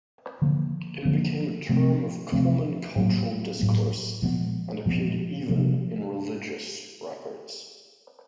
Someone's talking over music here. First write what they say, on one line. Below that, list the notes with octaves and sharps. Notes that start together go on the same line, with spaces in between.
It became a term of common cultural discourse and appeared even in religious records.
D3 F3 A#3
D3 F3 A#3
C3 F3 A3 C4
C3 F3 A3 C4
A2 F#3 A#3
A2 F#3 A#3
A#2 F3 G#3 B3
A#2 F3 G#3 B3
C3 F3 A#3